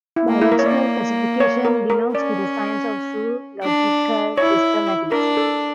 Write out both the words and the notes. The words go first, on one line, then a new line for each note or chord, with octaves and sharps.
Biological classification belongs to the science of zoological systematics.
E4
A#3
E4
A#4
C#5
A#3 D5
C#5
A#4
A#4
C#4 D5
D4
E4 C#5
D4 A#4
A4